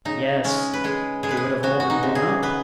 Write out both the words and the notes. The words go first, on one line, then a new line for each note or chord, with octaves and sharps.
"Yes, they would have all been blown up."
C#3 D#4
G#3 C#4
B4
G#3 G#4
G#3 G#4
B4
G#4
B3 F#4
F#4
D#4
C#3
G#4
B3 B4